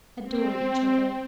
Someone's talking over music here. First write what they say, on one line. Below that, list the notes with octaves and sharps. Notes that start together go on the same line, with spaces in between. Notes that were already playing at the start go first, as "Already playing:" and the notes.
Adore each other.
C4